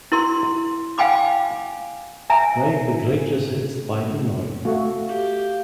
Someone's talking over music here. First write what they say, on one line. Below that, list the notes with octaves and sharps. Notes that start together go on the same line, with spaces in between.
Play the greatest hits by Inoj.
E4 A#4 C6
F5 G5 G#5 B5 D6
E5 G#5 A#5
A3 F#4 F5
G4